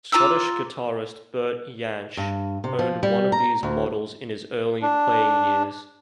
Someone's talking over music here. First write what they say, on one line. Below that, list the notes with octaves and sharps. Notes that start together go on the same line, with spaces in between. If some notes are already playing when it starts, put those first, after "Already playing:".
Scottish guitarist Bert Jansch owned one of these models in his early playing years.
F4 A#5 D6 E6
G2
C3
F3
G3
A#5
D2
D4